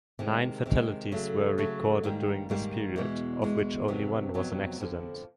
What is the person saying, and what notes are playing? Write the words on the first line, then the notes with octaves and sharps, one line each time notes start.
Nine fatalities were recorded during this period, of which only one was an accident.
C3 D#3 G#3
C3 D#3 G#3
C#3 F#3 A3
C#3 F#3 A3
G#2 D#3 G3 A#3
G#2 D#3 G3 A#3
E2 B2 G#3
E2 B2 G#3
F2 C3 D#3 F#3 B3
F2 C3 D#3 F#3 B3
F2 D3 F3